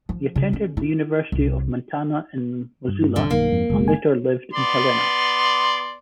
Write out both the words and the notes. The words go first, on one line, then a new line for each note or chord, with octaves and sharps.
He attended the University of Montana in Missoula and later lived in Helena.
F3
C#3
C#4
E4
C2
G2
D#1 D3
B1 D#3 A#3
F2 G#2
F#1 B1 G#3
G#5
B3 D5 C6